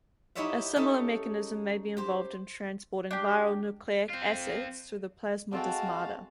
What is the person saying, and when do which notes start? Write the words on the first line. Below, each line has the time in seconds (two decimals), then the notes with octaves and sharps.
A similar mechanism may be involved in transporting viral nucleic acids through the plasmodesmata.
0.35 D#4 E4 G4 C#5 E5 F5
0.76 C#4 D#4 A4 E5
1.97 G4 C5
3.11 D4 G4
4.09 C4 F4
5.53 G#3 C4 F#4 A4 F5 G5 A5